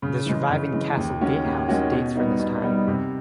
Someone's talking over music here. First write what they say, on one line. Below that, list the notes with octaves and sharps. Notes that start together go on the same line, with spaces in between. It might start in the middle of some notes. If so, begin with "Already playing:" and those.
The surviving castle gatehouse dates from this time.
C#3
E3 G#3
C#3
E3 G#3
D#2
D#3 G#3 C#4 F#4
D#2
D#3 G#3 C#4 F#4
B2
G3 B3 D#4
B2
G3 B3 D#4
C3